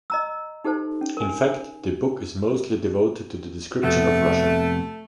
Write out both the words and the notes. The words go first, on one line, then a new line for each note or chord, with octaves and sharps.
In fact, the book is mostly devoted to the description of Russia.
D#5 A#5 E6
D#4 G4 A4 C5 A5
C#4
A#4 G#5
F2 C3 A3 B3